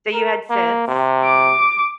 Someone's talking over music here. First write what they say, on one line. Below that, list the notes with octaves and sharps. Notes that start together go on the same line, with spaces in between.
So you had sense.
A#4
A#3
C3
D6